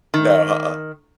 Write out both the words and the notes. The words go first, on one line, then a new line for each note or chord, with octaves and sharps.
No, uh-uh,
D#3